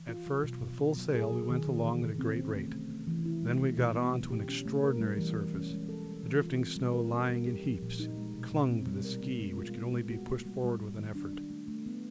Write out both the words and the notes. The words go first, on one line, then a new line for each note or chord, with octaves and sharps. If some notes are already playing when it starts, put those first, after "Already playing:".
At first with full sail we went along at a great rate; then we got on to an extraordinary surface, the drifting snow lying in heaps; it clung to the ski, which could only be pushed forward with an effort.
Already playing: E3
F4
F#3
B2
B2
B3
F#3
G#4
F#3
D#3
D#3
E3
C3
C4
C#4
A3
A3
A3
E3
E4
G#3
B2
B2
B3
F#3
G4
C#4
A3
A#4
G3
E3
E3
C#4
G#3
A4
G#3
E3
F4
C4
G3
A#4
C4
G3
G4
F3
A#2
D#4
G#3
B2
B2
C4
G3
A#4
B3
G#3
F4
B3
G#3
F#4
A#3
G3
G3
G3
D#3
D4
D4
A3
A3
B3